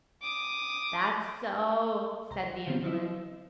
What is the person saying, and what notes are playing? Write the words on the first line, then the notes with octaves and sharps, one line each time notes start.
"That's so," said the invalid.
D6 D#6
C2 C5 A#5
B2 D3 E3 G3 B3 C4
F#3 E4 D#5 E6